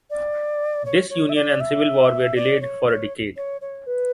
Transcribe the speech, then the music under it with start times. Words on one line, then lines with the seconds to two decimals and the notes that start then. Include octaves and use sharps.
Disunion and civil war were delayed for a decade.
0.10 D5
0.86 C#5
1.10 C#5
1.29 E5
1.35 D5
1.61 E5
2.36 D5
2.61 C#5
2.87 C#5
3.37 C#5
3.61 C#5
3.87 B4